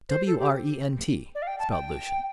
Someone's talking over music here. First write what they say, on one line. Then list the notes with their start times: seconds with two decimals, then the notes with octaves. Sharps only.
"W-r-e-n-t!" spelled Lucian.
0.09 C5
0.27 A4
0.39 G4
1.35 D5
1.42 F5
1.47 G5
1.59 A5
1.71 G5